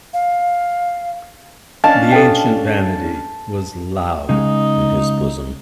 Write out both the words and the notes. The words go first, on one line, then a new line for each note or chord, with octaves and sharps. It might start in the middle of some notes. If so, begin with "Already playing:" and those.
The ancient vanity was loud in his bosom.
F5
C#4 D4 D#5 F5 A5
A4 G5
C#3 G#3 D#4